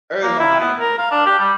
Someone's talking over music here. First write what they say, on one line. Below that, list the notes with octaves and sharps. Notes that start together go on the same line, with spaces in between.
early on, I ain't care about it.
A#3
E4
B3
A#4
F5
D4
G4
G3